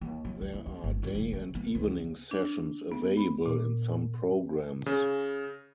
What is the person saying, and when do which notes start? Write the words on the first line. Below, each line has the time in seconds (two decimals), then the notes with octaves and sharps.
There are day and evening sessions available in some programs.
0.01 D#2
0.25 F#3
0.41 D2
0.53 E4
0.66 D#2
0.84 G1
1.03 C#2
1.15 E1
1.33 C#3
1.55 B3
1.75 C#2
1.88 F3
2.31 D4
2.92 B3
3.17 B5
3.46 A#2
4.86 C#3